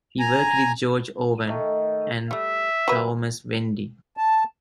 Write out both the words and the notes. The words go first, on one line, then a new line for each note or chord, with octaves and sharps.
He worked with George Owen and Thomas Wendy.
G#5 A#5
D#3 A3
G3 A3 E5
F#3 A#3 B4
A5